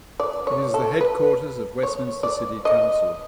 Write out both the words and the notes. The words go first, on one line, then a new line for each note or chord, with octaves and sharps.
It is the headquarters of Westminster City Council.
D5
C#5
A4
B4
C#5
D5
D#5